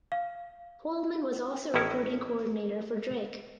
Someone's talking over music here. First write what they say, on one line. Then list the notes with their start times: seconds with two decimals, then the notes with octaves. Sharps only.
Pohlman was also recruiting coordinator for Drake.
0.12 F5
1.74 A1 A2 D#3 C#4 E4 A#4